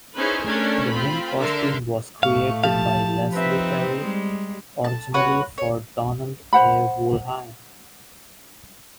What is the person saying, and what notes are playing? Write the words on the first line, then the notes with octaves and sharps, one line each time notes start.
The Ming costume was created by Leslie Perri, originally for Donald A. Wollheim.
C#4 D#4 E4 G#4 B4 C5
A3 C#4 D4 A#4
C4 F4 B5
D3 A4 A#4 E5 C6
A2 A3 F5 C#6
F3 G4 F5 A5
C4 D#4 B4 E5
G3 G#3
A5
F#4 B4 C#5 F#5
C#5
C5 F#5 B5